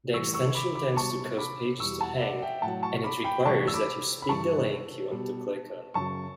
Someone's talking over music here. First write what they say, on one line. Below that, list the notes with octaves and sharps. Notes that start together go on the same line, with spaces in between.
The extension tends to cause pages to hang, and it requires that you speak the link you want to click on.
A2 E3 G3 C#6 E6
C#6 E6
B5 D6
B5 D6
B2 G3 A5 C#6
B5 D6
E2 B2 G3 C#6 E6
F#5 A5
E5
D5 F#5
E5 G5
A2 F#3 F#5 A5
A5 C#6
C#6
B5 D6
G5 B5
A2 E3 G3 A5 C#6
E6
B5 D6
B5
G2 E3 G3 A5 C#6
B2 G3
F#2 C#3 F#3 A5 C#6